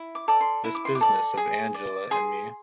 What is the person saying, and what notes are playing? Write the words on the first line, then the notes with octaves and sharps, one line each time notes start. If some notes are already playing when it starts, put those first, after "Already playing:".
This business of Angela and me.
Already playing: E4
D6
A4 D5
C6
E4
D6
C6
D6
A4 D5
G#4
D5
G#4 C6